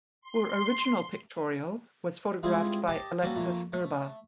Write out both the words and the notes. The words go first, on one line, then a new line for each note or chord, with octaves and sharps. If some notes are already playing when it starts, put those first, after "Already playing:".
Her original pictorial was photographed by Alexas Urba.
C6
G3 G#3 C4 E4 F4 G#4
G4 D#5 A5 D6
G3 A#3 C#4 F#4 A4 B4
F2 A3 A#3
A3